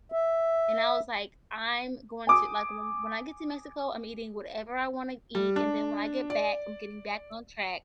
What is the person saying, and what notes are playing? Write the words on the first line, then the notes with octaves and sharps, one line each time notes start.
and I was like, "I'm going to, like, when I get to Mexico, I'm eating whatever I wanna eat, and then when I get back, I'm getting back on track."
E5
G#5 D6 D#6
G3
D4
D5